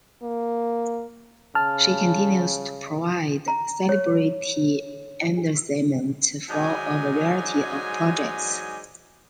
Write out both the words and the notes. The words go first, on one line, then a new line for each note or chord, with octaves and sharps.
She continues to provide celebrity endorsement for a variety of projects.
A#3
C#3 A5 F6
A#5
C#5
G#2 F#3 D5 D#5 G#5